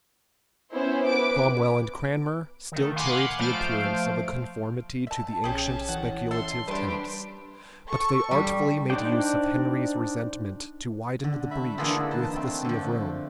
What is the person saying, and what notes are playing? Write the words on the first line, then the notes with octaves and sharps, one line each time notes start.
Cromwell and Cranmer still carried the appearance of a conformity to the ancient speculative tenets; but they artfully made use of Henry's resentment to widen the breach with the see of Rome.
B3 C#4 E4 C5
B4 D6 D7
D#3 A3
F5 F#5 G#5 B5 C6 D6
F3 A3 C5 F5 D7
E5 A5
A#1 C#4 G4 G#4 A5
E3 F#5
A4 E5 C6
G3 D4 G4 B4 C6
A4 C#6
G3
D4 D#4 C5 D5 G5
D3
A3 E5 B5
D3 E3 A#3 F4 G#4 A4
D#4 B4 A5
A3 C4
D3 F3